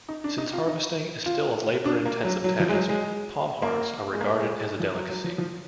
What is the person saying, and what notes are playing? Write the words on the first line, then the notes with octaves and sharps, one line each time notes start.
Since harvesting is still a labor-intensive task, palm hearts are regarded as a delicacy.
D#4
D4
D#4
F4
D#4
F4
D4
A#3
F#3
F#3
F3
G#3
F#3
G#3
A#3
G#3
A#3
G#3
G#3
F3
F#3
F#3
F3
F3